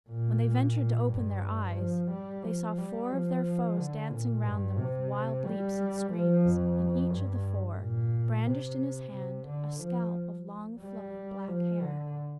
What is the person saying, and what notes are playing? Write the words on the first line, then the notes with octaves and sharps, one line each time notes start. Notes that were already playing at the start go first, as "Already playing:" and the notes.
When they ventured to open their eyes they saw four of their foes dancing round them with wild leaps and screams, and each of the four brandished in his hand a scalp of long flowing black hair.
A#2
A#2
G2
F3
G3
F3
G3
F3
D3
A#2
G2
C3
G3
F3
F2
G2
A#2
C3
C3
D3
F3
G3
F3
D3